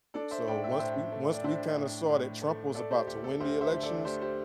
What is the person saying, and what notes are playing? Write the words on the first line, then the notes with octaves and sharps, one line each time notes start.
So, once we once we kinda saw that Trump was about to win the elections,
D4 A4 D5
C5 E5
A2 D5 G5
E5
G5
A2 C5 E5
A3
D5
D4 C5 E5
A2
A2
A3
A3 A4 D5
G4 C5
D2 G4
A4
D2 G4 C5
C5 E5
D3
A4 D5
A3 G4 C5
G4 C5